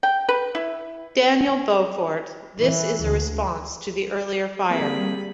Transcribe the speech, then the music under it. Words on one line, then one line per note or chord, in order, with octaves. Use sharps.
Daniel Beaufort, this is a response to the earlier fire.
G5
B4
E4
E3
D2
G3 A#3 C4 G#4 B5